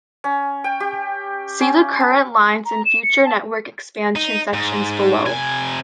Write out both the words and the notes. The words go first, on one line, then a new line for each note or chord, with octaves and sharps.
See the Current Lines and Future Network Expansion sections below.
C#4
G5
G4
C#4
A5
A#5
E7
C#7
A5
D#4
G#2
C3 G#5